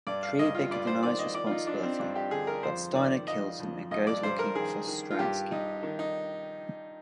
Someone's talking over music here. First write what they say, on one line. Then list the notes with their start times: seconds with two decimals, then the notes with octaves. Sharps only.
Triebig denies responsibility, but Steiner kills him and goes looking for Stransky.
0.07 G2 D5
0.23 F5
0.39 G2 D#5
0.55 F4
0.71 G2 D5
0.87 C5
1.03 D#3 D5
1.19 D#5
1.35 F3 D5
1.47 F4
1.51 D#4
1.67 F3 D4
1.83 C4
1.99 G2 D4
2.16 G4
2.31 D3 G#4
2.47 A#4
2.63 F2 C5
2.95 D#3 D5
3.27 F2 D#5
3.59 F2
3.91 G2 D#5
4.07 D5
4.23 G2 C5
4.39 A#4
4.55 D#3 G#4
4.88 D#3
5.11 F4
5.19 G2 G4
5.51 G2 D#4
5.83 D#3
5.99 D#4